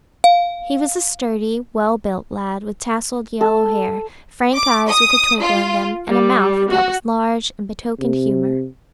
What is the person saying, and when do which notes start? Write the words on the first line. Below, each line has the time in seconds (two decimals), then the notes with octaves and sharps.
He was a sturdy, well-built lad, with tousled yellow hair, frank eyes with a twinkle in them, and a mouth that was large and betokened humor.
0.24 F5
3.41 A4
4.55 D6
4.87 D#6
5.41 F4
6.08 G3
6.69 F#4
7.99 C3